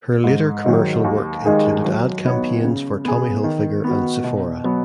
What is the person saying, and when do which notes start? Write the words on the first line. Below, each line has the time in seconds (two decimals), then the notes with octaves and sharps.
Her later commercial work included ad campaigns for Tommy Hilfiger and Sephora.
0.24 G#2
0.64 D#3 F#3 D#4
1.04 D#2
1.45 D#3 G#3 D#4 G#4
1.84 F#3
2.25 B3 D#4 F#4 C#5
2.64 C#3
3.05 B3 G#4
3.44 D#3
3.84 B3 F#4
4.24 B2
4.64 F#3 B3